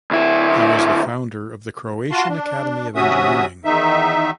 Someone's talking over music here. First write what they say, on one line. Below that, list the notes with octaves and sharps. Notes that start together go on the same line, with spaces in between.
He was the founder of the Croatian Academy of Engineering.
D2 E4
F4 F#4 A5 C6
D4
D#2 C3 C#4 F#4 E5 D#6
E2 D#3 D#4 E5